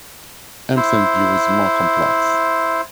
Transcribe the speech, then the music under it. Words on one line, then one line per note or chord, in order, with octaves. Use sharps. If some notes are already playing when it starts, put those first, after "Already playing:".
Empson's view is more complex.
E4 C5